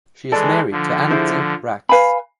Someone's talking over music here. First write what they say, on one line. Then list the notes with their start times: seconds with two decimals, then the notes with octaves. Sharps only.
She is married to Antti Brax.
0.32 E3 G#3 A4 D5 A5
0.71 D3 F3
1.11 E4 G#4 C5
1.89 B4 F5 G#5 B5